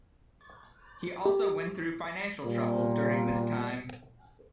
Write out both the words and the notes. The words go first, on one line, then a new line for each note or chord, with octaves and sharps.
He also went through financial troubles during this time.
G4
A#2 G3